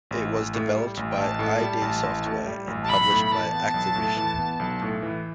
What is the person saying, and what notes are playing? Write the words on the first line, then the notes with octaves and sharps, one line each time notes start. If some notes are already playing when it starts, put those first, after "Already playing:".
It was developed by id Software and published by Activision.
A1
A1
A2
G3
A1
G5
A1 A5
A2
G3
A1
A1
A2
G3
A1
A5
B1 B5
A2
B5
E3 A5
B3
B1
A2
E3
B3
B1
A2
E3